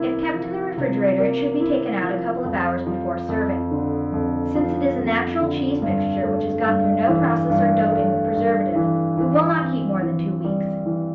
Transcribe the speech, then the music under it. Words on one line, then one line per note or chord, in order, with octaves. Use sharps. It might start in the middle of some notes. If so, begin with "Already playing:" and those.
If kept in the refrigerator, it should be taken out a couple of hours before serving. Since it is a natural cheese mixture, which has gone through no process or doping with preservative, it will not keep more than two weeks.
Already playing: C3 A#3 E4
F3
C3
A#3
E4
F3
F2
F3
F2
D3
F2
F3
F2
D3
G2
A3
G2
E3
G2
A3
G2
E3
E3
C4
E3
G3
E3